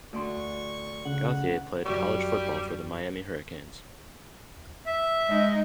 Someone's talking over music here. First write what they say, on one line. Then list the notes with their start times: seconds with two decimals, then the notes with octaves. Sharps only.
Gauthier played college football for the Miami Hurricanes.
0.13 D2 D4 C6 C#6
1.05 C#3 F#5
1.85 F#2 G3 C#6
4.86 E5
5.28 G#3 D#4